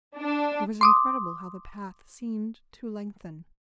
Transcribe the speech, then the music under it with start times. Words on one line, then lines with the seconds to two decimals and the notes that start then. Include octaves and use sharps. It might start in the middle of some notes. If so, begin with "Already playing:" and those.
It was incredible how the path seemed to lengthen.
0.18 D4
0.81 C6 D6 D#6